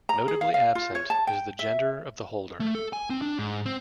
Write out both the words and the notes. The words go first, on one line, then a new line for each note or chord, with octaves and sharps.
Notably absent is the gender of the holder.
A#5
G#4
F5
F5
F4
C#5
A5
G5
E5
A3
A4
G#5
C4
D4
G#2
C4